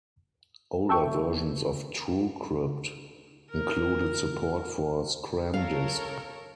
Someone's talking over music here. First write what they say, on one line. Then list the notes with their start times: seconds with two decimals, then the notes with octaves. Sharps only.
Older versions of TrueCrypt included support for ScramDisk.
0.89 A4 E5 G5 C#6
3.51 A#4
5.54 A4 A#4 C#5 F5